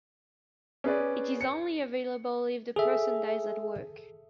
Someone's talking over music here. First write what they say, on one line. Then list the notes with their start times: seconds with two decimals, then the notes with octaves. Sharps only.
It is only available if the person dies at work.
0.84 C#4 G#4 B4 D5
1.41 C#7
2.76 G#4 A4 E5